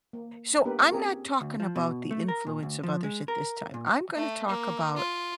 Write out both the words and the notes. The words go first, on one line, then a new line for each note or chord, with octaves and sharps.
So I'm not talking about the influence of others at this time. I'm gonna talk about
A#3
A#3 B3 D4 G4 A#4 B4
C4 C#4 F4 G4 G#4 A#4
D2
F3
B2
A3
A#4
A#2
D2
F3
G#3
A#4
A#2
A3
A#3
F4